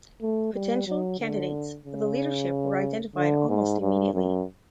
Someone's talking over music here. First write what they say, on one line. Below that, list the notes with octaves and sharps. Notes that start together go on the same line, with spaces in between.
Potential candidates for the leadership were identified almost immediately.
A3
G3
F#3
D3
C#3
D3
G#2
G2
F#2